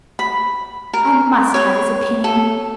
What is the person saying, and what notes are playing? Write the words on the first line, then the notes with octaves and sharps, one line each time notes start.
I must have his opinion.
B5
A#4
C#5
A4